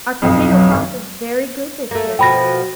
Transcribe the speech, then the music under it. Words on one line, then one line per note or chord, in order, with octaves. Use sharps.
Our potato crop is very good this year.
B1 F2
F#3
G#1
A3 A#3
B2 F3 G5 B5 A#6